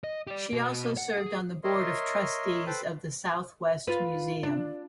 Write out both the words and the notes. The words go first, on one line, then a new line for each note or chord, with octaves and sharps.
She also served on the board of trustees of the Southwest Museum.
D#5
G4 D5
B2 F#4
F#5
G#4
A#4 C#5 D#5 E5 C6
A4 B4 C5 G5 A5 B5
F4 B4
D4